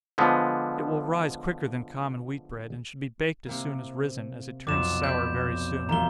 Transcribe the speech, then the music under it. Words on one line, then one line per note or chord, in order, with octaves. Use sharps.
It will rise quicker than common wheat bread, and should be baked as soon as risen, as it turns sour very soon.
D3 F3 G#3 B3
C3 A#3
B1 F2 D6 E7
B4 D5 G6
E1 C2 F3 A#5 G7